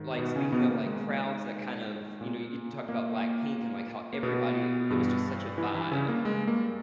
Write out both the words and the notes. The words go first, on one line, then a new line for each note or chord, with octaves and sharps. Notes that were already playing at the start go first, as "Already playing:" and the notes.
like, speaking of, like, crowds that kind of you know, you talked about BLACKPINK and, like, how everybody, eh it was just such a vibe.
Already playing: G#2 D#3
B2 B3
C#3 C#4
B2 B3
A#3
G#3
A#2
A#3
A#3
B2 B3
G2 E3
E3 E4
E3 E4
C#3 C#4
A#3
G#3
A#3